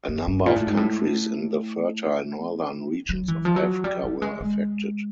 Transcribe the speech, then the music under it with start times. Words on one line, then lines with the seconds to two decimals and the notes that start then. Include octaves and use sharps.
A number of countries in the fertile northern regions of Africa were affected.
0.08 F#2
0.27 G2
0.46 A#2
0.56 A2
0.67 G#2
0.77 A2
2.71 D#3
3.09 F#3
3.28 E3
3.45 F3
3.56 F#3
3.84 G3
4.03 G3
4.22 G#3
4.41 G#3